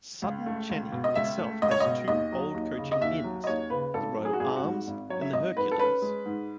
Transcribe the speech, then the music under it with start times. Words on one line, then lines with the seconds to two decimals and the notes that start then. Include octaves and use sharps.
Sutton Cheney itself has two old coaching inns- the Royal Arms and the Hercules.
0.22 C#2
0.46 A3
0.70 C#2
0.92 B2
1.04 D#5
1.15 C#2 E5
1.38 A3
1.62 C#2 D#5
1.71 C#5
1.80 B2 D#5
2.08 D#2 D#5
2.32 F#3
2.54 D#2
2.78 C#3
2.92 D#5
3.01 D#2 E5
3.24 F#3
3.44 D#5
3.47 D#2 C#5
3.70 C#3 B4
3.94 G#1 A4
4.17 F#3
4.25 G#4
4.33 F#4
4.40 G#1 G#4
4.56 F#4
4.64 G#2
4.87 G#1
5.10 F#3 C#5
5.22 E5
5.33 G#1 D#5
5.56 G#2 B4
5.72 A4
5.79 C#4 B4
6.02 G#3
6.25 G#2